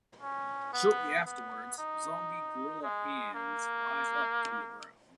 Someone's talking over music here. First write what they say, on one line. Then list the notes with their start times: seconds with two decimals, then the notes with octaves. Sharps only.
Shortly afterwards, zombie gorilla hands rise up from the ground.
0.21 C#4
0.73 B3
1.26 B3
1.78 D#4
2.83 G#3
3.34 A#3